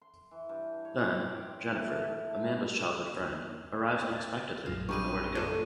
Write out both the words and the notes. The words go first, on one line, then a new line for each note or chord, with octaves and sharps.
Then, Jennifer, Amanda's childhood friend, arrives unexpectedly with nowhere to go.
C6
E3
G2
C#5
C#5
G4
C6
A3
A2
C#4 G#6 A6
A#1 F#2 A2 F4
G2 C3 G3 G#3 C#6 G6 D#7
A#2 D4 A4